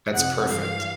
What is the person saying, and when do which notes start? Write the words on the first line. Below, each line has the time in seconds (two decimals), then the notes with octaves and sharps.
That's perfect.
0.13 F2 C3 F3 F#5
0.50 G2 E3 G3 F5